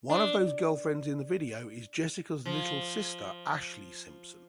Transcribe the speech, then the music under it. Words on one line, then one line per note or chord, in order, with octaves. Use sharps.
One of those girlfriends in the video is Jessica's little sister Ashlee Simpson.
D4
F3